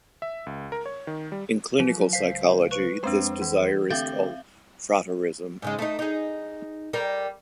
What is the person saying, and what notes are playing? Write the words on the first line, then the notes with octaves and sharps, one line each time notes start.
In clinical psychology, this desire is called frotteurism.
E5
C#2
A#4
C#5
D#3
G3
F3 F#3
C#2 C5 F5 B6 C7
B4 C#6
F2 G#3 C4 D4 C5
E3
D3 A3 C4 G4 E5 F5 G6 A6
G#2 C#3 G#3
A3 D#4
D#4 G#4
G3 A#4